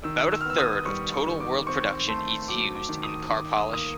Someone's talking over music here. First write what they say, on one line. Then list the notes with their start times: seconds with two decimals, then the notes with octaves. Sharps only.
About a third of total world production is used in car polish.
0.04 D#3 E6
0.32 E6
0.41 F6
0.46 B3 E6
0.58 D#6
0.86 G3 C#6
1.14 C#6
1.27 D#3
1.40 D6
1.67 C4 C#6
2.08 A3 C6
2.48 F#3 D6
2.75 D6
2.89 D#3
3.03 D#6
3.30 D#3 D6
3.57 D#6
3.70 A#3 D#6